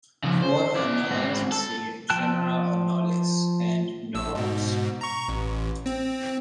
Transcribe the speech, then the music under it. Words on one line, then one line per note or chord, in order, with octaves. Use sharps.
For anoles see genera "Anolis" and "Norops".
C#3 F3
C5
E4 D5
G#2 C4
A4
F3 G5 A5 E6 F#6
A#1 E6
G#2 B2
A#5 C#6
A1
C4